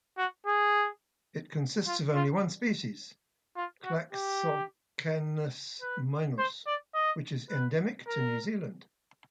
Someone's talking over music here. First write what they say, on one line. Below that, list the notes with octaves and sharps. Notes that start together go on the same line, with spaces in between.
It consists of only one species, Cladoxycanus minos, which is endemic to New Zealand.
F#4
G#4
F4
F4
F4
F#4
G4
B4
C5
D5
D#5
B4
A#4